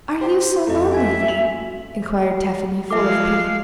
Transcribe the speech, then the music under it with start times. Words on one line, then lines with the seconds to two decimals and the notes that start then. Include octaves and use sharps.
'Are you so lonely, then?' inquired Tephany, full of pity.
0.20 G4 C5 G5
0.67 F2 A3 D#5 A#5
0.92 C#4 E5 G#5 G#6
1.28 F#4 F7 F#7
2.91 F3 G#3 A4 E5 F5 D6